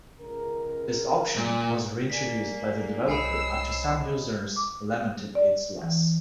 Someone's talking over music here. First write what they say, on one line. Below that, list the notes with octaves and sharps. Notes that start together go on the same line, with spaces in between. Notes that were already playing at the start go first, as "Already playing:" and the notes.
This option was reintroduced by the developer after some users lamented its loss.
C#2 C#3 A#4
A#2
A#3 D5 G#5 B6
C2 C5 C#5 D#5 G#5 B5 E6 C7
D6
D5
E3